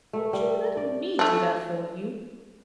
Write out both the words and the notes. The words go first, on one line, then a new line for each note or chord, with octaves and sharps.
Won't you let me do that for you?
A3
G3
D5
A3 D4